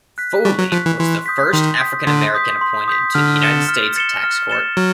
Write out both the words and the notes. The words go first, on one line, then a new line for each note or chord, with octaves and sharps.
Foley was the first African-American appointed to the United States Tax Court.
F#6 B6
G3 C#6
F#3
F3 F#6 B6
E3
E3 C6
D#6 G6 B6
D#3 C6
D#6 G6 B6
D3 C6
D#6 G6 B6
C6
D#6 G6 B6
D3 F6
A6 C#7 E7 G7
F6
A6 C#7 E7 G7
F6
A6 C#7 E7 G7
F#3 F6